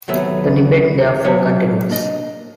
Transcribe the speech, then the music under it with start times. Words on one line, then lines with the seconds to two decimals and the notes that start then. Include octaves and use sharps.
The debate therefore continues.
0.08 D#2 C3 F#3 A3 B3 E5
1.24 F#3 B3 C#5 E5 F5 G#5
1.90 A#3 D4 D#5